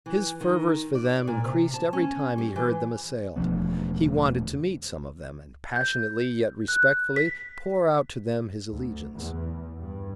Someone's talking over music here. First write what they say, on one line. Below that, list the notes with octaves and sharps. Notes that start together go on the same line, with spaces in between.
His fervors for them increased every time he heard them assailed; he wanted to meet some of them, and passionately, yet respectfully, pour out to them his allegiance.
E3
D#3
D5
A#2
C3
A5
C#4
G3
E3
E1 D2 F3 B3
G6
F#6
B6
D2
E2
G2